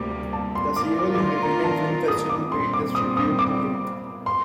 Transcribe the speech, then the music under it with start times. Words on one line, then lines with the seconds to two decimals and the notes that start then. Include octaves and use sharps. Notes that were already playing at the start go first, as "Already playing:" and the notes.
The Seoul Independent Film Festival paid this tribute to him.
Already playing: D2 C3 G3 A#3 D6
0.33 A5
0.55 C6
0.76 D#3 A3 D4 F4 A#4 D6
0.99 D6
1.15 D6
1.20 C6
1.43 A#5
1.64 A5
2.08 D#6
2.29 D6
2.51 A#2 G3 C4 C6
2.73 D6
2.95 D#6
3.17 D#6
3.39 D6
4.26 C6